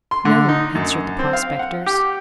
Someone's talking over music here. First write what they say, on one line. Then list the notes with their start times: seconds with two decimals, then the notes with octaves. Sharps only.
'No,' answered the prospectors.
0.11 C6
0.25 D3
0.49 D#4
0.75 F#2
1.19 C4
1.33 F5
1.59 F#5
1.86 G4